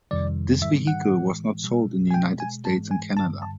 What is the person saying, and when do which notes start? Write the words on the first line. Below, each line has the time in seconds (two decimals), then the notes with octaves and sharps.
This vehicle was not sold in the United States and Canada.
0.11 F2 C3 D#3 G3 D5
0.62 G#2 D#3 G3 E5
0.87 F#5
1.12 A2 E3 G#3
1.64 B2 G3
2.11 G#5
2.14 B2 G#3 G5
2.40 G#5
2.65 G#2 E3 G#3 A5
2.91 G#5
3.17 G2 D3 G3 A5
3.42 A5